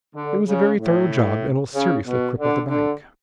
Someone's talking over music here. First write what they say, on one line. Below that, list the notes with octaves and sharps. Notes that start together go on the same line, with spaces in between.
"It was a very thorough job, and will seriously cripple the bank."
D3
C#3
A2
C#3
B2
D3
D3